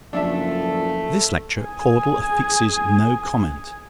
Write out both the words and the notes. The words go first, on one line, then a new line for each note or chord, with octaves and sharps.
To this lecture, Caudle affixes no comment.
F#1 F3 A3 D4 A4 E5
G#4 G#5